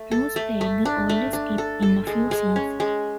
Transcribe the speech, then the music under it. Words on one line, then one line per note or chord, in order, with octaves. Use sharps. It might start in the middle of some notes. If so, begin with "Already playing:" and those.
Moose played the older Skip in a few scenes.
Already playing: A3
A4
A3
A3
D4
A3
D4
A4
A4
G#3
G#3
C#4
G#3